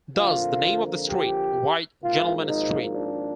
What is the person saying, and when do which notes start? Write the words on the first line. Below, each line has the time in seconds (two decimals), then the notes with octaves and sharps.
Thus the name of the street; "White gentlemen street".
0.15 F2 D3 F3 A#3 F4
1.08 G4
2.00 G#1 G#2 F3 A#3 F4
2.47 D#4
2.94 D4